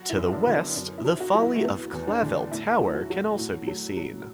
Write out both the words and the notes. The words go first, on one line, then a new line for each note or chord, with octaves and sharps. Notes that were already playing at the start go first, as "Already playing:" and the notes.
To the west, the folly of Clavell Tower can also be seen.
Already playing: F#3 F#4
E4
F#2
D4
D3
B3
F#2
E4
F#3
F#4
F#3
E4
A3
F#3 B3
E2
D4
D3
A2 E4
F#3
F#4
F#3
A2
F#3
F#3